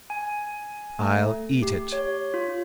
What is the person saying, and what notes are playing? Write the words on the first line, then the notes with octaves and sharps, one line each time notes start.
"I'll eat it."
G#5
A3
G4
C#5
F4